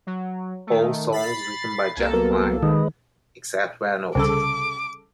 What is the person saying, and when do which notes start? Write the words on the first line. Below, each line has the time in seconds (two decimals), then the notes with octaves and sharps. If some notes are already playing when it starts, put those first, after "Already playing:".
All songs written by Jeff Lynne except where noted.
0.07 F#3
0.67 D#3 A3
1.12 B5 A6 C7
1.97 C2 A#3 A4 G#5
2.13 F#3 B3 A#4
2.63 D#3 G#3 B4 D#5
4.15 C2 C#3 A4 D6